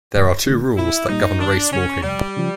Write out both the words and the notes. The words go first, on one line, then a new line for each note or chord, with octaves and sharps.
There are two rules that govern racewalking.
E1
D2 D3
A#1 E4
A#2 G3 D#4
G#1 D4
F#2 C#3 C#4
F1 G3
C#3 F3